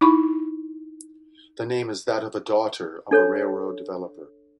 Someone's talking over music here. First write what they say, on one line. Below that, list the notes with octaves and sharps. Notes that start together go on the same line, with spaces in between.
The name is that of a daughter of a railroad developer.
D#4 E4 B5 C#6
D4 A4 C#5